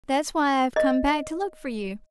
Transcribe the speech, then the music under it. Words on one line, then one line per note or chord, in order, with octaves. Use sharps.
That's why I've come back to look for you.
D#5